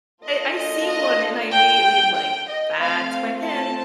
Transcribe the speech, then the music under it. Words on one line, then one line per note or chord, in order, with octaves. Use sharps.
I I see one and I immediately am like, "That's my pin.
A#3 D4 F4 A4 D#5
D#5
D#5
G5
G5
D#5
A3 C4 F4 F5
A5